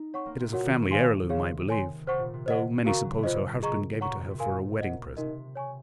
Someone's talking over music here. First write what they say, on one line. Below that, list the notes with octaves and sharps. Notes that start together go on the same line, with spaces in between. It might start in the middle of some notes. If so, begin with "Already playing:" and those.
It is a family heirloom I believe, though many suppose her husband gave it to her for a wedding present.
Already playing: D#4
C4 C#5 F#5 C#6
A#3
C3
A#2 F#4 A#4 C#5 F#5
D#3
C#3
D#3 C#5 F5 G#5 C6
C3 G#4 C#5 F5
C#5 G#5 C6
C3 C5 F#5 C#6
A#2
C3
C5 D#5 F#5
C#3 F#4 A#4 F5 A#5 C#6
F#3
C3
A#2 F4 C5 D#5
G#4 D#5 A#5 C#6
C3 C#5 F#5 A#5 C#6
A#2
A#2
C3
A#2 A#4 F5 G#5 C6
C5 D#5 F#5
C3 D#4 A#4 D#5
C#5 G#5 C#6